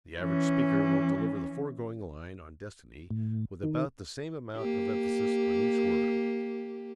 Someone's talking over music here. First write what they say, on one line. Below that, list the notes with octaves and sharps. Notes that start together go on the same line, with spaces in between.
The average speaker will deliver the foregoing line on destiny with about the same amount of emphasis on each word.
E3 C#4
A2
D#3
A#3 G4